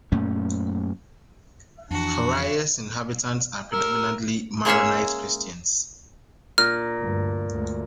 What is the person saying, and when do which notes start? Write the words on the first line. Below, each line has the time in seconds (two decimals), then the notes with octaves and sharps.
Faraya's inhabitants are predominantly Maronite Christians.
0.12 F#2 A#2 A3 C#4
1.91 F2 E3 D4 F#4
3.73 A#4 E6
4.65 G#3 A#3 C#4 G#4 C#5 E5
6.58 A#2 F6
6.99 D2 G2
7.50 D2 G#3